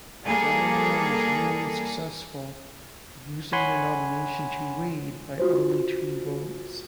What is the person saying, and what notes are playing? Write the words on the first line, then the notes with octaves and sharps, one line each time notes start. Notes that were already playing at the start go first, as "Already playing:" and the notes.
Delano was nearly successful, losing the nomination to Wade by only two votes.
G3 A#3 G#4 A4
C#5 F#5 G#5 B5 C6
F4 F#4 C5